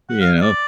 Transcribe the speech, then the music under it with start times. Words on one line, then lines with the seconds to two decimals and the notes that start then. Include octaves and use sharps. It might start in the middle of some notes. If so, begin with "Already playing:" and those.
You know?
0.10 F#5
0.21 F5
0.42 D5